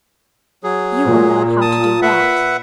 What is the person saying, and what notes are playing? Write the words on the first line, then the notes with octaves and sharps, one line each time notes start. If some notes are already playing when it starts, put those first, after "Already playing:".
You will know how to do that.
F#3 G#4
A#2
A5 D#6
B4 E5 F#5